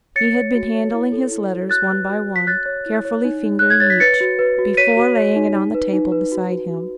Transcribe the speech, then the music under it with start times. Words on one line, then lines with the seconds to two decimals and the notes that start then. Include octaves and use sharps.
He had been handling his letters, one by one; carefully fingering each, before laying it on the table beside him.
0.16 C#5 A6 C#7
0.35 C#5
0.55 F#4
0.75 C#5
0.94 E4
1.12 A4
1.31 E4
1.50 C#5
1.69 F#4 F#6 A6
1.90 B4
2.09 F#4
2.28 F#4
2.36 B6
2.47 C#5 F#6 A6
2.66 C#5
2.86 E4
3.05 C#5
3.24 D#4
3.44 D#4
3.59 C#5 F#6
3.70 G#6
3.80 C#5 A6
3.90 B6
4.00 B4 A6 C#7
4.21 F#4
4.39 B4
4.59 F#4
4.77 C#5 B6 D#7
4.97 F#4
5.16 C#5
5.36 D#4
5.55 D#4
5.74 B4
5.93 D#4
6.12 B4
6.32 F#4
6.51 F#4
6.71 F#4